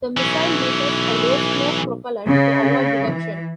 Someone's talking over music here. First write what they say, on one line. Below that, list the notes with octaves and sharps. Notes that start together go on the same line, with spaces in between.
The missile uses a low-smoke propellant to avoid detection.
B1 E3 C#4
C#3
E3